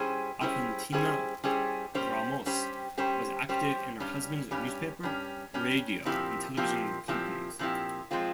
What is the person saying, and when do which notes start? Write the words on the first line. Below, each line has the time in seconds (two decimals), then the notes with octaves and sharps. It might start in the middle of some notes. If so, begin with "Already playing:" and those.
Argentina Ramos was active in her husband's newspaper, radio and television companies.
Already playing: G3 C#4 E4 G#4 C5
0.41 G3 C#4 E4 G#4 C5
0.92 G3 C#4 E4 G#4 C5
1.44 G3 C#4 E4 G#4 C5
1.94 G3 C#4 G4 C5
2.46 G3 C#4 G4 C5
2.97 G3 C#4 G4 C5
3.49 G3 C#4 G4 C5
4.00 G2 G3 C#4
4.51 G2 G3 C#4
5.03 G2 G3 C#4
5.54 G2 G3 C#4
6.05 A#2 F3 C4 E4 G4
6.57 A#2 F3 C4 E4 G4
7.08 A#2 F3 C4 E4 G4
7.59 A#2 F3 C4 E4 G4
8.11 F3 G#3 C4 F4